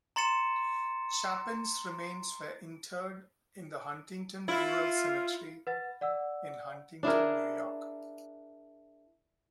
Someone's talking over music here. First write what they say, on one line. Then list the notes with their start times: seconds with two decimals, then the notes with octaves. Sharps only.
Chapin's remains were interred in the Huntington Rural Cemetery in Huntington, New York.
0.16 A#5 C6 A6 C#7 E7
4.48 E4 F4
5.67 B4 F#5 A6
6.01 D5 F#5 E6
7.03 D4 E4 G#4 A#4